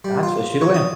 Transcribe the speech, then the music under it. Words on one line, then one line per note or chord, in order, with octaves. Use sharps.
Gotcha, shoot away.
G3
F4
C#5
D#6